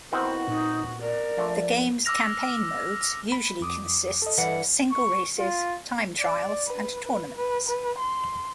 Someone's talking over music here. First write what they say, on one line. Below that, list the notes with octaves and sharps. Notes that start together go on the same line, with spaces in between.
The games' campaign modes usually consists of single races, time trials, and tournaments.
D#3 B3 C4 E4 F#4 C5
A#2 D#4
A#4 D5
F3 A3 D4 F4
D6 E6 F6 A#6 F7
B5
F2 D6 D#6
A4 D#5
G2 E3 F#5
C#6
F4
D5
B4
B4
B4
B4
C6